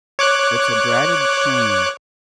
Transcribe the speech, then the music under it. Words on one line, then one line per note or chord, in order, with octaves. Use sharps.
It's a dratted shame!
C#5 D6 F#6